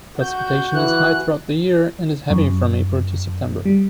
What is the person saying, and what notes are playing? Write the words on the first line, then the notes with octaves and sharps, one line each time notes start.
Precipitation is high throughout the year, and is heavy from April to September.
F#4 G6
E3 F#6
F#2
G3